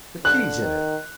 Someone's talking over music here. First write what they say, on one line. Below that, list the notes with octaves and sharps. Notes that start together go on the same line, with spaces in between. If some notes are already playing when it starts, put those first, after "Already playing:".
"The key's in it."
D3 F#6
D#3